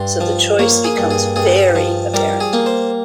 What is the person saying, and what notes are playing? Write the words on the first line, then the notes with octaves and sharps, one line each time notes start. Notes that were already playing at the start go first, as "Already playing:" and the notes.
So the choice becomes very apparent.
Already playing: G2 C6
F3
A#3 C#5
G#4
G2
G#4
G2 G#4
F3
G3 A#4
G#4
A#3
C5